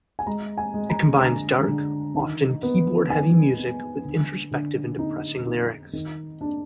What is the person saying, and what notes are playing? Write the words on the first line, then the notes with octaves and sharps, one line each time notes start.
It combines dark, often keyboard-heavy music with introspective and depressing lyrics.
G#5
G#3 A#5
G#5
G#3
A#5
D3 A#5
D3
D#3
B3
D#3 G#5
B3
D3
D3
D#4
D#4
D#3
D4